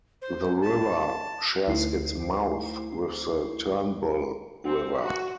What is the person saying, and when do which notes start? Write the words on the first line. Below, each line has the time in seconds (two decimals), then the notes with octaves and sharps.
The river shares its mouth with the Turnbull River.
0.22 C5
0.61 A5
1.67 D2 A3 D#4 E4 C5 C7
4.65 C4
5.03 F#4